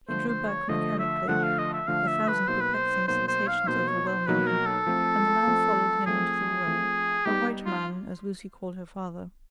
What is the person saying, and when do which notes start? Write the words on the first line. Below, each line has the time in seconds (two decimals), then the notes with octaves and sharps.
He drew back mechanically, a thousand perplexing sensations overwhelming him, and the man followed him into the room--a white man, as Lucy called her father.
0.08 D3 F3 A3 C5
0.29 C5
0.48 C#5
0.69 D3 F3 A3 D#5
0.99 E5
1.28 D3 F3 A3 F#5
1.43 F5
1.59 D#5
1.73 E5
1.88 D3 F3 A3 F5
2.08 E5
2.28 B4
2.48 B2 F#3 A#3 D#4 C5
2.61 B4
2.74 C5
3.08 B2 F#3 A#3 D#4 C5
3.28 C5
3.48 F5
3.67 B2 F#3 A#3 D#4 C5
3.88 C#5
4.07 C5
4.27 B2 F#3 A#3 D#4 B4
4.47 A#4
4.67 A4
4.87 F3 A3 C4
5.47 F3 A3 C4
6.06 F3 A3 C4 G#4
6.66 F3 A3 C4
7.26 G3 B3 D#4 G4
7.66 F4